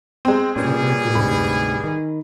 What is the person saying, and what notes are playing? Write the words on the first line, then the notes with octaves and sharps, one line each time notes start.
I don't like the look of it.
G#3 C4
A#2 E3 G3 C#4 G#4
D2 G#2 C3 B5
D#3